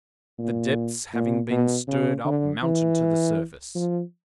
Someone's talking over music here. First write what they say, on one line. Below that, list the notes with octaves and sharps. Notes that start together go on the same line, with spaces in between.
The depths having been stirred up, mounted to the surface.
A#2
A#2
B2
C#3
D3
E3
F3